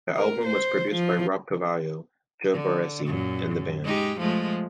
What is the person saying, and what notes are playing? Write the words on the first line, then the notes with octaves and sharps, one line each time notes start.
The album was produced by Rob Cavallo, Joe Barresi, and the band.
A#4
C5
F3
D3
F#2 A#2
G#3 D#4 G4
F3 G#3 A3